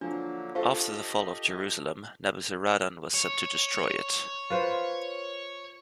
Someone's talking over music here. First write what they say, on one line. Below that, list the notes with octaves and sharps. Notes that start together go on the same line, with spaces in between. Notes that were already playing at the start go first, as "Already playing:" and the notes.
After the fall of Jerusalem, Nebuzaradan was sent to destroy it.
D3 F3 F#3 A#3 D4
A3 F4 F#4 A4 C5 F5
G4 D#5
C#5
F4 B4 C5